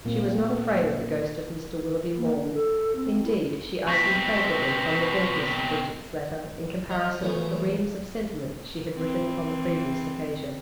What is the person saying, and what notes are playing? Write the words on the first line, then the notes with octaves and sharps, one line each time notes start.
She was not afraid of the ghost of Mr Willoughby Maule: indeed, she argued favourably from the baldness of Bridget's letter in comparison with the reams of sentiment she had written upon the previous occasion.
A#2 A#3 C4
A#3
D4
A4
C4
E4
B2 C4 C#6 A#6 B6
F3 D#5
C#3 E3 A3 B3
E3 C4